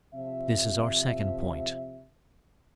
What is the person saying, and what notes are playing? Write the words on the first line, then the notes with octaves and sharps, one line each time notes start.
This is our second point.
C3 F3 E5